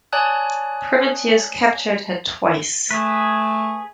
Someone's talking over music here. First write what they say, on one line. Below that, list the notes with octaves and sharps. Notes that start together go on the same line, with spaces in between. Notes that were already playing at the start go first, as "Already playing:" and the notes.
Privateers captured her twice.
C#5 D5 G#5 A5 D#6 F#6
A3 G#4 B4